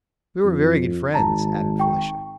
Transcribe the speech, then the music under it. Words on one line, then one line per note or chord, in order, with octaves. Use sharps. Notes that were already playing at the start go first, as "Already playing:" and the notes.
"We were very good friends," added Felicia.
F2
G#1 A5 A#5
G5 C#6